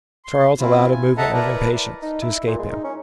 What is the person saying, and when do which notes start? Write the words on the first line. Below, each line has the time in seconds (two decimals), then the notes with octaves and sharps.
Charles allowed a movement of impatience to escape him.
0.25 C6
0.60 C4 E4 F4
0.91 G#5
1.18 A4 D#5 E5 F#5 A5 A#5
1.34 E4 A#4 B4 D5 A#5
2.02 D#4
2.22 E4
2.47 A#2
2.59 G#3
2.71 D#4
2.84 C#4